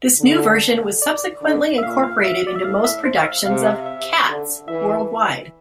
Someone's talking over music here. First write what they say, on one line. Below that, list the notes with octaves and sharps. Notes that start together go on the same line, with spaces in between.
This new version was subsequently incorporated into most productions of "Cats" worldwide.
D3
D5
D3
E5
A#2 F5
F5
E5
D5
E5
A2 F5
E5
C5
F5
E5
C3 F5
E5
E5
D3
E3 E5